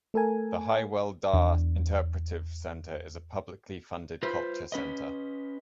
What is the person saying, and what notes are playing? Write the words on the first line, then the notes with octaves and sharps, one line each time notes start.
The Hywel Dda Interpretive Centre is a publicly funded culture centre.
A3 A4 A#4 G#5
E2 D4
F4 B4 C5
C#4 B4 D#5